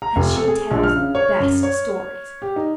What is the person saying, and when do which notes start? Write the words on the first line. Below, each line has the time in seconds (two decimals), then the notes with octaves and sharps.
And she tells the best stories.
0.02 A#5
0.16 F1
0.36 A4
0.48 G#4
0.71 A#1
0.83 F6
0.95 C#3
1.15 C#5
1.40 F#2
1.63 C#5
2.42 G4
2.56 D#4